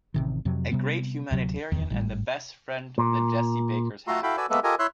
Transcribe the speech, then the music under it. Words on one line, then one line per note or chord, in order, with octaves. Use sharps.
A great humanitarian and the best friend the Jessie Bakers have.
A1 C3 D#3
F2 C3 F#3
C3 G3 B3
D1 C3 F#3
D1 E2 D#3
G#1 A2 G3
A#2
A3 F4 F#4 A4 A#5 C6
E4 F#4 A4 F5 G5 B5
F#4 A4 B4 D5 G#5 E6
G#3 A#3 B3 A4 B4 E5
F4 G4 A4 A#4 D#5 G#5
E4 C#5 E5 C6 E6 F#6